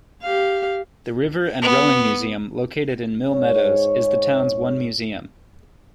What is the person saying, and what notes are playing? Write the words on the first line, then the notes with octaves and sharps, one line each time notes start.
The River and Rowing Museum, located in Mill Meadows, is the town's one museum.
G4 F5
B3
G#2 C#5